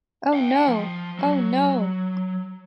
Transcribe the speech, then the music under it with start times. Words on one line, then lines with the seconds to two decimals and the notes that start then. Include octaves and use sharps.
Oh no! Oh no!
0.33 F5 G5
0.68 F3
1.19 F#3